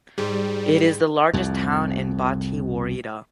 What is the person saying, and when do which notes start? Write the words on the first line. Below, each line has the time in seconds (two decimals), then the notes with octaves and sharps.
It is the largest town in Bati woreda.
0.18 G#2 G3
1.33 C2 F2